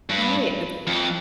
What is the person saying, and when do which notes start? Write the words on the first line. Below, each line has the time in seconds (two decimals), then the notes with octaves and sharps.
Right. That's
0.09 G2
0.87 F2